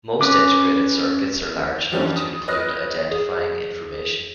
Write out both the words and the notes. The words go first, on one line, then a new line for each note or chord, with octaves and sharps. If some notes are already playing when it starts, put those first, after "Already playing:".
Most integrated circuits are large enough to include identifying information.
C#4 B4 D6
E3 F3 G3 A#3 C#4 D4
D#6
B4 C#5 D#5 D#6 F6 A#6
G#4